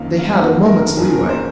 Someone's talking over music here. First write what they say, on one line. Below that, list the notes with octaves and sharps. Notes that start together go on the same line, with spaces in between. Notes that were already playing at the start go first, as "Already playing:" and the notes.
They had a moment's leeway.
Already playing: F#1 F2 D#3 A#3 F5
F5
F#1 F2 D#3 A#3 F#5
A#4
F#1 F2 D#3 A#3 G#4
A#4
C5